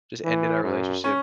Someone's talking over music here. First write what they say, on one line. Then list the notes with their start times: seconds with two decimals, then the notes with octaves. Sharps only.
just ended our relationship.
0.24 E3
0.63 F#2
1.04 C#4